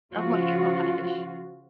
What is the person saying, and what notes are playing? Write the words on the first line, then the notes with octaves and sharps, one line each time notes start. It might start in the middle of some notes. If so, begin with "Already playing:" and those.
Oh my gosh.
C#3 F3 F4 F#4